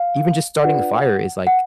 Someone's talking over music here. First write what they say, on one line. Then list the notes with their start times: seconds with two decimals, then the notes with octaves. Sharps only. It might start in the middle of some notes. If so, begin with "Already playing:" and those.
even just starting a fire is, like,
Already playing: F5
0.64 D4 F4 B4 D5 F#5
1.47 F#5